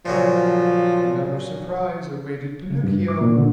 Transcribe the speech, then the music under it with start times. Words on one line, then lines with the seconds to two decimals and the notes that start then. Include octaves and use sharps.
Another surprise awaited Pinocchio!
0.05 A#2 C#3 F3 F#3
2.70 C#3
2.84 G2
3.08 D6
3.21 A#2
3.37 D3